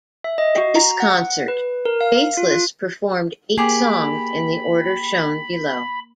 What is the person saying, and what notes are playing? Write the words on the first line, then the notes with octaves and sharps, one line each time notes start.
At this concert, Faithless performed eight songs in the order shown below.
E5
D#5
F#4
A#5
F#5
B4
A#4
F5
F4
F4
A#3 G4 G#4 B5